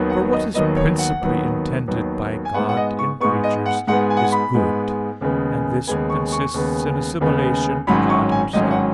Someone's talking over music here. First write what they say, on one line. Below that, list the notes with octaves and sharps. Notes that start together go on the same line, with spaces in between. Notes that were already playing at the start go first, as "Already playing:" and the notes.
For what is principally intended by God in creatures is good, and this consists in assimilation to God Himself.
Already playing: D#2 D#3 F#3 B3
F#5
D#5
D#2 D#3 F#3 B3 D#5
C#5
F#5
D#2 D#3 F#3 B3
D#2 D#3 F#3 B3
G#5
G#2 G#3 B3 F#5
F#5
D#5
C#6
G#2 G#3 B3 C#6
D#5
F#5
G#2 G#3 B3 F#5
G#5
F#5
G#5
B5
G#2 G#3 B3
D#2 C#3 G#3 B3
D#2 C#3 G#3 B3 G#5
C#6
C#6
D#2 C#3 G#3 B3
D#2 C#3 G#3 B3
G#1 G#2 F#3 C#4 B5
C#6
G#5
G#1 G#2 F#3 C#4 D#5
F#5